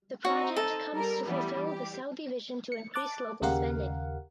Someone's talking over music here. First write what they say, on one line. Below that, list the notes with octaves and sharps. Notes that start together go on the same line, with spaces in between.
The project comes to fulfill the Saudi vision to increase local spending.
C4 D#4 F#4
A4
G3 A#4
E3 G3 B3
G4
C#7
A5 D6 F#6 A6
D#2 C#3 G4 A#4 F5 F#5